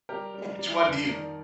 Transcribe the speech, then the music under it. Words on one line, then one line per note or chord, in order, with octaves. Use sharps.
Which one do you
G3 G4 A#4
G3
G3
F2
D#3 A#4 D5